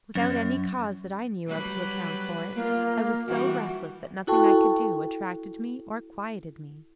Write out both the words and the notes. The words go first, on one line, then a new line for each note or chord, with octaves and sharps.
Without any cause that I knew of to account for it, I was so restless that nothing I could do attracted me or quieted me.
F#2
F#3 G3 B4
A#3 F4
E3 G3 F#4
E4 F#4 A4 G5 A5 C#6